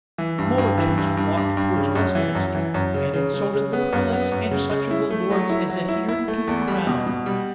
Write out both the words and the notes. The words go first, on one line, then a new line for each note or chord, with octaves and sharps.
Multitudes flocked towards Westminster, and insulted the prelates and such of the lords as adhered to the crown.
E3
G2
G2
E3
G2
G2
G2
G2
C#3
F#2
E3
F#2
E3
F#2
C#3
C#3
C#3
C#3
B3
F#2
B3
F#2
C#3
C#3
E4
A3
F#3
E4
F#3
E4
E4
A3
E2
G3
B2
B2
G3